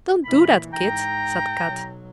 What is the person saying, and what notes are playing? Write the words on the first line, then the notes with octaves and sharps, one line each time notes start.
"Don't do that, Kit," said Kat.
A#2 E3 B5
G#2 G5 A#5
B1 F#3